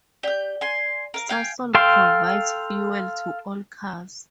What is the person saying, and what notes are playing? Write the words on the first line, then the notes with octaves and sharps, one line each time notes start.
Sasol provides fuel to all cars.
G4 D5 G6 G7
G#5 C6
A#4 F5
F5 G5 G#5
A4 F5 G5 C6